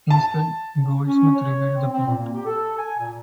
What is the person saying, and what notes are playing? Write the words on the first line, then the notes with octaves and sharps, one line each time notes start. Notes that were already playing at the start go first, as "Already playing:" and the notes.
Instead, Goldsmith revealed the plot.
A5
C#4
C#5
C4
C4
A#2
A#3
G4
A4
G#5
A#2